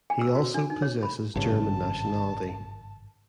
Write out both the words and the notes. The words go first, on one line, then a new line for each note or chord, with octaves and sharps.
He also possesses German nationality.
G#5
E6
F#4
D4
D#4
C#5
B5
G#1 G2 C#3 A5